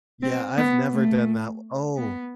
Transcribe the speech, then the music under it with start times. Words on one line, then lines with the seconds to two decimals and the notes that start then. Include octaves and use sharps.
Yeah, I've never done that o Oh,
0.23 C4
0.57 B3
0.93 A3
1.97 B3